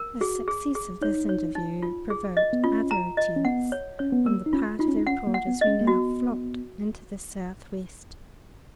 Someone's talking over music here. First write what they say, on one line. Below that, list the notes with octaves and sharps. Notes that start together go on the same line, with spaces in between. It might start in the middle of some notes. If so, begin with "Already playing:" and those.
The success of this interview provoked other attempts on the part of the reporters who now flocked into the Southwest.
Already playing: A#4
F#4 G#4
G#4
G#4
D#4 C#5
C#5
D#4
F4
G#4
D#5
B3
C#4 F4
A#5
D#5
C#4
B3 F#5
C#5
C#4 C#5
B3
A#3 A#4
D#4
C#4 F4
D#4 F4
C#4
D#4
C#4 F#5
A#3
F#5
B3
D#5
C#4
A#3
B3 F#4